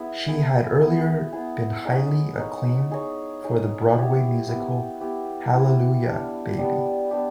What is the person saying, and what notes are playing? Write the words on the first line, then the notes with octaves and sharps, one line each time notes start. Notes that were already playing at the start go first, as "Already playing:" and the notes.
She had earlier been highly acclaimed for the Broadway musical Hallelujah, Baby!
Already playing: B3 E4 G#4
B3 E4 G#4
B3 E4 G#4
B3 E4 G#4
D#4 G#4 C#5
D#4 G#4 C#5
D#4 G#4 C#5
D#4 G#4 C#5
B3 E4 G4
B3 E4 G4
B3 E4 G4
B3 E4 G4
G3 B3 D4 G4
G3 B3 D4 G4
B3 D4 G4